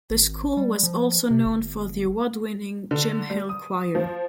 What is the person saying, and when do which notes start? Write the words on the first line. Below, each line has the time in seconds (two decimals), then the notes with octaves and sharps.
The school was also known for the award winning Jim Hill Choir.
0.10 G#1
0.57 G3
0.83 F3
1.31 C3
1.45 G1
2.91 D3
3.30 G3
3.49 D#6
3.95 F3